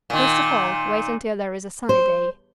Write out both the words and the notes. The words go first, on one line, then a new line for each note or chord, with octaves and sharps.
First of all wait until there is a sunny day.
A#2 D#3
C5